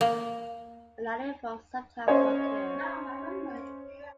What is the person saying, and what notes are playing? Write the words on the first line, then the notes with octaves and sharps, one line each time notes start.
Melanic forms sometimes occur.
A#3
C#4 C5 C#5 D#5 E5